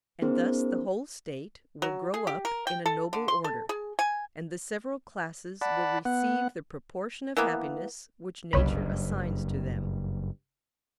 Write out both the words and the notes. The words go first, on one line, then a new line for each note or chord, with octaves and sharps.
And thus the whole State will grow up in a noble order, and the several classes will receive the proportion of happiness which nature assigns to them.
B3 C#4 D#4 G#4 A#4 C5
F#3
G#4
G4
A#4
G5
A4
D3
C6
A4
G#4
G#5
D5 F#5 A5 B5
B3 F#5
E3 A#3 B3
F#1 C2 G2 C#5 B5